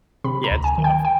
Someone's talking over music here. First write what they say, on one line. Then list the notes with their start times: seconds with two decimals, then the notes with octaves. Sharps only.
Yeah, it's tough.
0.24 C3 B5
0.44 A#5
0.51 D2
0.64 G#5
0.78 D#3
0.84 G5
1.05 G5